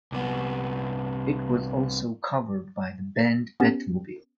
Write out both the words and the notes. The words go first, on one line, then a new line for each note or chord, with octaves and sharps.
It was also covered by the band Batmobile.
C2 B3
B3 C#4 G4